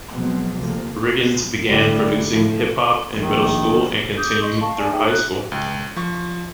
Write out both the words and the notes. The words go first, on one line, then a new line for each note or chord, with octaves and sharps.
Riggins began producing hip hop in middle school and continued through high school.
B2 F3 F#3 G#3 C4
D2 C3 F3 A#3
A2 D3 G3
A2 F3
A#1 D#3
D6 D#6 G6
D#5 C6 C#6
F5 A5 C#6
G#4 D5 G#5
D#4 G#4 E5 G5
F#6
C#2
F3 C#6